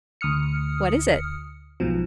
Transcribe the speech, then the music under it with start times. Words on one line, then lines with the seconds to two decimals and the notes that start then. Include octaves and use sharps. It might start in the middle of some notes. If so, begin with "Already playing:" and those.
"What is it?"
0.21 D2 D#6 F6 C#7
1.80 B1 G#2 B2 F3